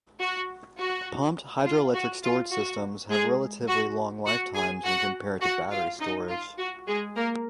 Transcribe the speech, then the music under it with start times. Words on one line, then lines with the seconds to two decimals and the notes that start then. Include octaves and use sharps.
Pumped hydroelectric storage systems have relatively long lifetimes when compared to battery storage.
0.20 F#4
0.78 F#4
1.65 F4
1.94 F#4
2.23 F4
2.52 F#4
3.10 G#3 G#4
3.68 F#4
4.26 F#4 F#5
4.55 G#4 G#5
4.84 F#4 F#5
5.42 F#4 F#5
5.71 F4 F5
6.00 D#4 D#5
6.29 F4
6.58 F#4
6.87 G#3 G#4
7.16 A#3 A#4